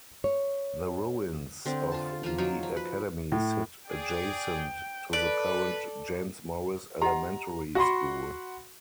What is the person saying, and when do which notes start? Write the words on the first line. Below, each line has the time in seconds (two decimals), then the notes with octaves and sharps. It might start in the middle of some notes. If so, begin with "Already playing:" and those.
The ruins of the academy sit adjacent to the current James Morris Elementary school.
0.24 C#5
1.66 D3 C4
1.92 F4 A5
2.23 F3 A#3 F4
2.38 F#3 D#4 F4 C#5
2.63 F3
2.77 B4
3.32 A2
3.89 G#4 D5 G5
5.13 A4 B4 D5
7.02 G4 D#5 F#5 A#5
7.75 F#4 F#5 B5 C6